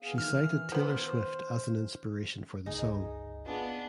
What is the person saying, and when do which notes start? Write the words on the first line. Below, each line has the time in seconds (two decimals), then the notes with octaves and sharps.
She cited Taylor Swift as an inspiration for the song.
0.02 B3 G#4 F5
0.18 D#3 E3 F6
0.72 F3 B3 C5
2.66 G1 C#2 D#4 G#4
3.46 B3 D4 F4 G#4